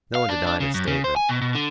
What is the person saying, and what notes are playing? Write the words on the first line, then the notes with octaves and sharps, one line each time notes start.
No one denied his statement.
F5
D4
D4
C#3
F#2
C#3
C5
G#5
B2
B2
D3